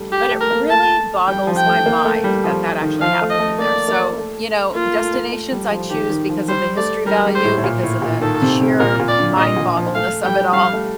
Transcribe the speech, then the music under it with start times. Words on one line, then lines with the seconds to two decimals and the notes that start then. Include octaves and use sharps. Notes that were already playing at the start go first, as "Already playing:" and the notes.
But it really boggles my mind that that actually happened in there. So, you know, destinations I choose because of the history value, because of the sheer mind-boggleness of it all.
Already playing: G3 A3
0.12 G4
0.31 A3
0.41 A#4
0.51 A#3
0.70 A3 A5
1.27 G3 G5
1.47 F3
1.57 G5
1.66 A3
1.86 A#3
2.05 A3
2.24 G3
2.44 F3
2.81 D#3
3.01 F3 F5
3.21 A3
3.30 D#5
3.39 A3
3.59 A#3 D5
3.88 A#3
4.17 A3
4.74 A#3 F4
4.94 A3
5.14 A#3
5.32 A3
5.52 G3
5.71 F3
5.90 D#3 G4
6.10 D#3
6.29 F3
6.48 G3 C5
6.77 A3 D5
7.06 G3 A#4
7.26 G3
7.35 C5
7.44 A2
7.58 A2
7.64 A#2
7.83 A2
8.02 A#2
8.21 D#3 A4
8.42 C3
8.61 C3
8.80 A#2 A#4
9.00 A#2
9.08 D5
9.18 D3
9.37 A#2 D#5
9.57 A#2
9.77 F3
9.95 A3 F5
10.25 G3 G5
10.53 G3 F5
10.73 A3